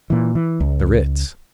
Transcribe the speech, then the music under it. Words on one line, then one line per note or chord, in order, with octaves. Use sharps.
The Ritz.
A#2 E3
E3
C#2